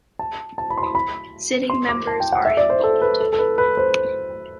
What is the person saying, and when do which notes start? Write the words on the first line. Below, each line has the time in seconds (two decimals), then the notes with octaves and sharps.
Sitting members are in bold.
0.19 A5
0.58 A5
0.70 B5
0.78 C6
0.83 B5
0.95 B5
1.70 C6
1.89 D6
2.07 A5
2.20 G5
2.32 F#5
2.45 E5
2.57 D5
2.70 C5
2.83 A4
3.02 B4
3.20 A4
3.33 A4
3.39 B4
3.58 B4
3.77 C5